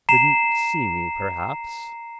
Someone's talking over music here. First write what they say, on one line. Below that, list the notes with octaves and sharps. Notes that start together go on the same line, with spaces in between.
Didn't see me perhaps.
A#5 C7 E7